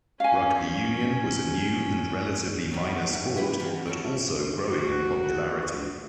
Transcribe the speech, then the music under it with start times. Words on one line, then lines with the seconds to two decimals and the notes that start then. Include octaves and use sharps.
Rugby union was a new and relatively minor sport, but also growing in popularity.
0.20 C#4 F5 G#5
2.71 F#3 G3 D#4 B4 F#5
3.10 G#2 A3
3.36 G#3 E4 G4 B4
3.59 F2 D3 E3 F#4 G4 A#4
3.86 A3 C#4 A4
4.70 F#4